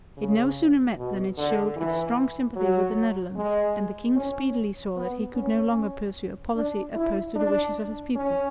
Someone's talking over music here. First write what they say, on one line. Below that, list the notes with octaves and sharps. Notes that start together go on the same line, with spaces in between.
It no sooner met than it showed its strong sympathy with the Netherlands; and the king speedily saw that he could no longer pursue a policy opposed to the wishes of his people.
C#3
B2
D3
E3
F#3
G#3
C#4
B3
C#4
D4
E4
D4
C#4